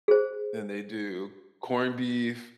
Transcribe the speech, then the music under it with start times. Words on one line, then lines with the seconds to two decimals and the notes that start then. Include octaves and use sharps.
And they do corned beef
0.08 G#4 C5